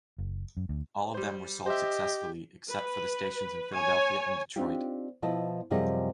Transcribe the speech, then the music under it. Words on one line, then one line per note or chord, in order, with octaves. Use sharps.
All of them were sold successfully except for the stations in Philadelphia and Detroit.
F#1
F#2
D2
G3 C5
G4 C5 D#5 E5
B4
C#5 G#5
C4 D4 D#4 F4 G4
B2 F3 E4 D#5 A5
F#2 C3 F3 G3 G#4 D#5